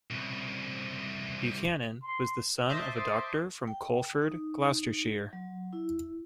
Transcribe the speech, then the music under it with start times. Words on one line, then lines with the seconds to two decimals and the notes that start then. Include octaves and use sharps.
Buchanan was the son of a doctor from Coleford, Gloucestershire.
0.11 C2 C#3
2.02 C6
2.69 C5 D#5 E5 A5 C6 D6
3.68 G5
4.22 D#4
5.33 F#3
5.73 E4